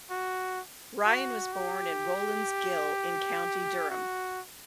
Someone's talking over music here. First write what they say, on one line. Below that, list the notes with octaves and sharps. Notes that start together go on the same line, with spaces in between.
Ryan was born in Rowlands Gill in County Durham.
F#4
F#4
G4
F#4